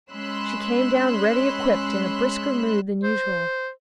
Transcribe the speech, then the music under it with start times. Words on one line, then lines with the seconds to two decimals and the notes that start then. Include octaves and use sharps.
She came down ready equipped, in a brisker mood than usual.
0.10 G#3 C#4 B5 C6 E6 F#6
3.03 C5